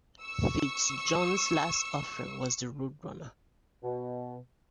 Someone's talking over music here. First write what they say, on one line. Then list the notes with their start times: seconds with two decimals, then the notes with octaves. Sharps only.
FitzJohn's last offering was the Roadrunner.
0.21 C#6 E6
3.83 B2